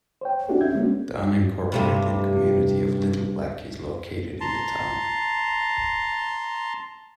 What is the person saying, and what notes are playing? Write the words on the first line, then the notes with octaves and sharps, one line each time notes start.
The unincorporated community of Little Black is located in the town.
C5 C#5 G5
C4 D4 E4 F#4 G4 A4
C#4 E5 G6 G#6
G#3 A#3 B3 C#4 D4 F#4
G2 C3 A3
A5 A#5 C6